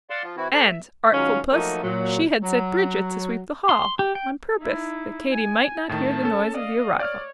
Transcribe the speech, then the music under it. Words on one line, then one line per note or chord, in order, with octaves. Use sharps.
And, artful puss! she had set Bridget to sweep the hall, on purpose that Katy might not hear the noise of the arrival.
D5 F5 F#5 C6 E6
F3 F4
E3 C4 E4 F#4
A4 C5 D5 A5 A#5
E5
D#3 F#3 G#3 C#4 F4 F5
F3 F#3 A3 A#3 D#4 F#4
A#2 F#3
F#3
C6
G4
G5
D#4 E4
G#5
A2 D#3 A3 A5
C#4 A4
D5 D#5 F5
C#5 D5 F6